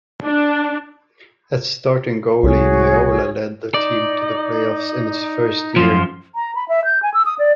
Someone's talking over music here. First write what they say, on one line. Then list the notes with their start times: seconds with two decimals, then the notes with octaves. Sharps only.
As starting goalie, Meola led the team to the playoffs in its first year.
0.24 D4
2.43 C2 F#4 G#4 C#5
3.74 D#4 D5
5.76 F#2 F3 F5 C6
6.35 A#5
6.55 B5
6.69 E5
6.85 G6
7.03 G#5
7.14 E6
7.26 D#6
7.39 D5